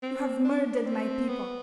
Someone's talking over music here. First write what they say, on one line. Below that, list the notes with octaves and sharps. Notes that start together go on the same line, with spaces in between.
You have murdered my people!
C4
D4
C4
B3